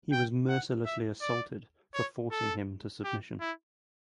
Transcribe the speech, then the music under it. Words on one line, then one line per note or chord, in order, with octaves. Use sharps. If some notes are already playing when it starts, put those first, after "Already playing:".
He was mercilessly assaulted for forcing him to submission.
G5
F#5
E5
D5
C#5
A4
G4
E4